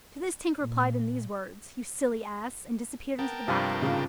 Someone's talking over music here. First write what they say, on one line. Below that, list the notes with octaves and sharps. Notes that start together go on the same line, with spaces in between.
To this Tink replied in these words, "You silly ass," and disappeared into the bathroom.
A#2
B3 A#4 G5 A5
G2 C3 F3 F4
G#2 C#3 D4 F4